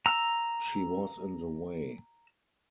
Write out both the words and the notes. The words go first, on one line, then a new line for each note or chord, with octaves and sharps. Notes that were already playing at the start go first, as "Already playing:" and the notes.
She was in the way.
A#5 E6